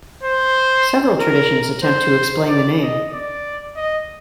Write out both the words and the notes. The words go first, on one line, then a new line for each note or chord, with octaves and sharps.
Several traditions attempt to explain the name.
C5
A#4
C5
D5
D#5
D5
D#5